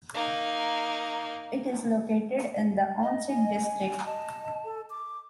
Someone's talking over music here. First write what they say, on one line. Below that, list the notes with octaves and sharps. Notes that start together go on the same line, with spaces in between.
It is located in the Ahuntsic district.
A#3 D#4
D#5
G#5
D#5 A5
A4
D6